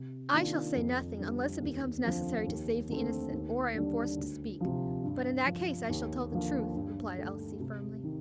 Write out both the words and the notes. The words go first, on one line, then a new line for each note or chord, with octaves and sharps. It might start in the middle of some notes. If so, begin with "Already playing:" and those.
"I shall say nothing, unless it becomes necessary to save the innocent, or I am forced to speak; but in that case I shall tell the truth," replied Elsie, firmly.
Already playing: C3
D#3 A#3 D4 F4
F2
D3 G3
D#2
D3 F3 C4
D#2
D3 A3 C4
D#2
D3 G3 D4
D2
C3 F3
G2
D3 F3
D#2
D3 F3 A#3
G2
D3 A3
C3
D#3